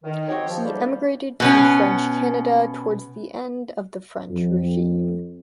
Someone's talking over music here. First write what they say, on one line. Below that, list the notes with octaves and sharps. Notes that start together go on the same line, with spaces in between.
He emigrated to French Canada towards the end of the French Regime.
D#3
F#3 C4 F#4 G4 C#5 D#5
F3
G#2 D3 E3 F#3 G3 A#3
B2 B3 C#4
F2